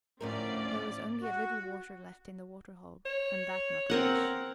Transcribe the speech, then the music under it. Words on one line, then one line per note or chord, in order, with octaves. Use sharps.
There was only a little water left in the water-hole, and that not fresh.
D2 A2 F3 C#4 A#4 D5
F#4
C#5
C4 A#4 F#5